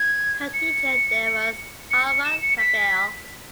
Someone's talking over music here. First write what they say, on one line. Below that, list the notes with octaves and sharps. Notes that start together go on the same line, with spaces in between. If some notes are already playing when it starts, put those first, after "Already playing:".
Her teacher there was Hartmut Zabel.
Already playing: G#6
C#7
C#7
C#7
E7
C#7
B6